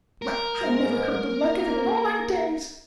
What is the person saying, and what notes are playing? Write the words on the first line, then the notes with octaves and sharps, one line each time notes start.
Well, I never heard the like of it in all my days!
A#4
G#2
A#3